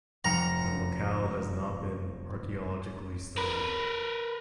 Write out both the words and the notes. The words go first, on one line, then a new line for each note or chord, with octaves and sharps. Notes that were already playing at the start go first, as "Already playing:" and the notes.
The locale has not been archaeologically studied.
F1 A#5 F6 C#7
A#4 B4